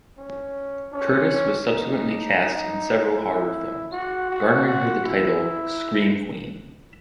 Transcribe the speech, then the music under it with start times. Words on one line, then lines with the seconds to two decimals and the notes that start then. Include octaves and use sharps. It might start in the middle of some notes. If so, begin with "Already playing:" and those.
Curtis was subsequently cast in several horror films, garnering her the title, "scream queen".
0.18 C#4
0.92 C#4
1.68 D#4
2.43 D#4
3.17 E4
3.92 F#4
4.30 F#4
4.67 F#4
5.05 E4